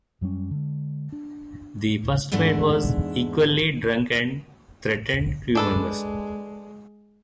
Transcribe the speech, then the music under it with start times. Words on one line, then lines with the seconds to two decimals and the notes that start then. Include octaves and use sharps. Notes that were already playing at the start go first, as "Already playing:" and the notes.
The first mate was equally drunk and threatened crew members.
0.21 F#2 F#3 G3 C#4
0.51 D3 G#3
1.12 D4
2.03 D#1 A1
2.32 E2 G#2 G#3 A3 D4
5.55 G#3 D4 A4 B4